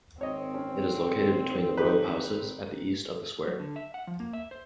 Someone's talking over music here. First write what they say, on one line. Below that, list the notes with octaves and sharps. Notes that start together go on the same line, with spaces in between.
It is located between the row of houses at the east of the square.
G#1 C4 C#5 D#5
C#4
D#4 G4 B4
F#3
D3
E5
F#5
F3
A#3
E5
C5